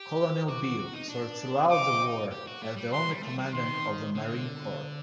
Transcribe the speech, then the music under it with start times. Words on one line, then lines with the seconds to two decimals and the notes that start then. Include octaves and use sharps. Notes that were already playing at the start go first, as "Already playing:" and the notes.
Colonel Beall served throughout the war as the only Commandant of the Marine Corps.
Already playing: G4
0.48 F#4 D6
0.63 F#4
0.79 F#4
0.93 D#4
1.09 D4
1.70 D#4 D6
2.31 G4
2.47 F#4
2.62 A3
2.77 G3
2.93 F#3 C6
3.07 G3
3.23 A3
3.38 G3
3.54 D#3 C6
4.15 D3